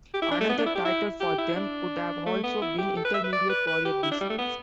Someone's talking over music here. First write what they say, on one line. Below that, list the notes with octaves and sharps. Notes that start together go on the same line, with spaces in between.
Another title for them could have also been Indeterminate Warrior Beasts.
G4
E4
D4
A3
B3
D4
E4
G4
E4
G4
E4
D4
A3
B3
E4
G4
A4
B4
E5
B4
D5
B4
B4
G4
E4
D4
G3
A3
B3